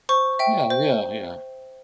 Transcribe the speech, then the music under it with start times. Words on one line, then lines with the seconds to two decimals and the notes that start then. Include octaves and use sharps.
Yeah, yeah, yeah.
0.09 C5 C#6
0.39 E5 G5
0.70 C5